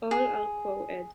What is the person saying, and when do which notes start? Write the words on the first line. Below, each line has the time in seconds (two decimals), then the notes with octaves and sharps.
All are co-ed.
0.11 G#4